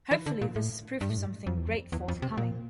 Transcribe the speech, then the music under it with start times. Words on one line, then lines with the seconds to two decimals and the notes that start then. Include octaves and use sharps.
Hopefully this is proof of something great forthcoming.
0.11 E3
0.26 D3
0.42 A#2
0.56 A2
1.01 G2
1.10 A2
1.18 G2
1.47 F2
1.57 E2
1.68 F2
1.92 E2
2.08 F2
2.22 C3
2.37 A#2